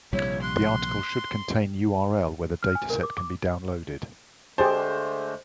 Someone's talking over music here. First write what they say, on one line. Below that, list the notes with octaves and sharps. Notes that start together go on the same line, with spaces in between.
The article should contain URL where the dataset can be downloaded.
A#1 C3 G3 E4 C#5
C6 F#6
F6
G#5
A#4
D6
D6
D3 G#3 A3 G4 G#4 C5 A5